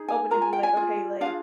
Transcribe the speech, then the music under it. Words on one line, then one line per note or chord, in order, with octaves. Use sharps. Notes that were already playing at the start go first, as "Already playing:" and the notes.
open to be like, "Okay, like,
Already playing: D#4 G#4
G#5
F4 A#4 A#5
G#5
G5
G#5
F4 G#4
D4 F4 G#4 F5